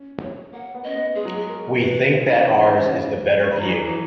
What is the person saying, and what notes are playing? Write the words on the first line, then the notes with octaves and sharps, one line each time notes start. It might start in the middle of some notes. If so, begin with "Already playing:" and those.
We think that ours is the better view.
Already playing: C#4
C#5
A#3 F#5
B3
C#4 D#5
B3
G#3 G#4
F#3
G#3
A#4
B4
C#3
D#3
E3 C#5
D#3
C#3
C#6
B5
A#5
F#3
E3 G#5
E3 A#5